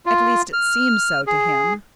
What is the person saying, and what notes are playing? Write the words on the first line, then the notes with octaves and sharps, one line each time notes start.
At least, it seemed so to him.
F4
F6
G#4